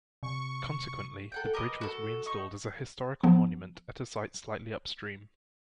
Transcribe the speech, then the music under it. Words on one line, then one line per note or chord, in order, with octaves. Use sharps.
Consequently, the bridge was reinstalled as a historical monument at a site slightly upstream.
C3 C#6
A4 F#5 G5
G4 A#4 B4 D#5
F#4 A4
D#4 C#6
F3 B3